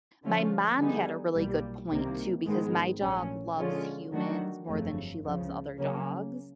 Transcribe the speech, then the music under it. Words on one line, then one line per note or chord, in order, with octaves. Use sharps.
My mom had a really good point too because my dog loves humans more than she loves other dogs,
D3 F3 A3 C#4 F4
D3 G3 B3 D#4 G#4
B1 A#2 G3
C2 C3 D#3 G3 A#3
G#2 D#3 G#3 B3
A#1 A#2 F#3 A3 C#4
D3 F3 G#3 C#4 F4
D#3 F#3 A3 D4 F#4
G1 F2 C#3 F#3 A3
C#2 C#3 F3
C#3 F#3 A#3 C#4